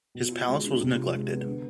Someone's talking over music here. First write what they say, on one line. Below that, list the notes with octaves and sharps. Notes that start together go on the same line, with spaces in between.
His palace was neglected.
B2
F4
G#3
D4
C3
F4
G#3
B3
D3